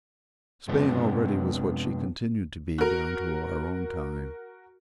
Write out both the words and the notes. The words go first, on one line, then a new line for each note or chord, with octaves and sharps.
Spain already was what she continued to be down to our own time.
F#2 C3 F3 G#3 B3 D4
F#4 A#4